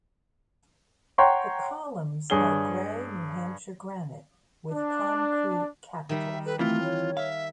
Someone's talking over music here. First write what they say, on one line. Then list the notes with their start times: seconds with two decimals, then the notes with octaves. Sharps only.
The columns are gray New Hampshire granite with concrete capitals.
1.18 C#5 F#5 G5 A#5 C6 C#6
2.30 G2 G#4 C#5 G7
4.72 D4
6.09 D#3 G3 E5
6.45 A4 B4
6.59 E3 A3 C4 E4 F4
6.83 C#5
7.17 E5 F5